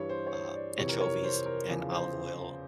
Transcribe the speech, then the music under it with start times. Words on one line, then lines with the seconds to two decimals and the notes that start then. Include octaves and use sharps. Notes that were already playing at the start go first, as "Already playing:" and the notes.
uh, anchovies and olive oil
Already playing: G2 E3 G3 C#5
0.09 C5
0.27 C#5
0.32 C5
0.55 D5
0.78 F2 C3 E3 G3 C#5
0.89 A#4
1.01 C#5
1.24 C5
1.46 A#4
1.69 E2 C#3 F3
1.91 C5